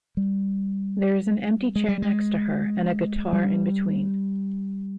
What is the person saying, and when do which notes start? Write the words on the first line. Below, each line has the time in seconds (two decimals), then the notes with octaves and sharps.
There is an empty chair next to her and a guitar in between.
0.17 G3
1.76 G#3
1.89 G3
2.02 G#3
3.33 G3